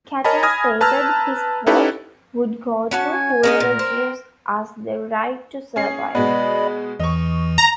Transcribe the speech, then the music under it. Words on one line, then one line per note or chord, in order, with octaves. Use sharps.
Katter stated his vote would go to "whoever gives us the right to survive".
A#4 C#5 D#5 G#5 A5 B5
G#5 B5 D#6 F6 G#6 A#6
B4 A5 A#5 E6 F6
C#4 D#4 E4 G4 A4 B4
C#4 F#4 A5
G#5
G#3 C#4 D#4 A#4
A#2
C4
C#4 G#4 C7
B2 G#3 B3 D5 D#5 B5
E2 E3 D#5 C#6
A#5